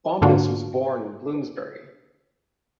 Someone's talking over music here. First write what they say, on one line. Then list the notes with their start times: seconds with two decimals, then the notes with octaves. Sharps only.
Bompas was born in Bloomsbury.
0.22 G#2 D3 A#3 D4 F4 F#4